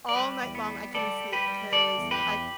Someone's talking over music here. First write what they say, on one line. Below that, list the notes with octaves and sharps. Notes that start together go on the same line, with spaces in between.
All night long, I couldn't sleep because I c
D5
G3 G4 B4
E2
B3
G3
G3 A4 D5
G3
G4 B4
G3
G3 A4 D5
E2
G4 B4
E2